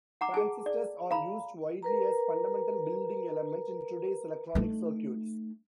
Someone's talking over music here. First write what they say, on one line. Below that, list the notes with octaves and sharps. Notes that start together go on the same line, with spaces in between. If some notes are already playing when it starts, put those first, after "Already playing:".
Transistors are used widely as fundamental building element in today's electronic circuits.
F#5 A#5 D6
G#4 G#5 A5
D5
F5 A#5 B5
A#4 B4 A#5
A3 D#4